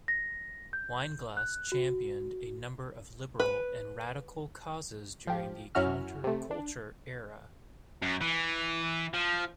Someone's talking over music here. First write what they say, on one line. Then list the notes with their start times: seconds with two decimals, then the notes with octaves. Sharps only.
Weinglass championed a number of liberal and radical causes during the counterculture era.
0.08 A#6
0.73 G6
1.37 F#6
1.72 F#4
3.40 B4
5.27 F3 G4
5.75 F#2 F#3 C#4 E4 F#4 F6
6.24 C3 A3
6.51 D4
8.03 F#2
8.21 E3
9.14 F3